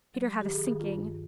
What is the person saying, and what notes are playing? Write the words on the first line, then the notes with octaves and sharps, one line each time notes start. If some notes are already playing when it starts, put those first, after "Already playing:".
Peter had a sinking.
F#3
D#3 G4
G#4
D#3 G#4
F4
G2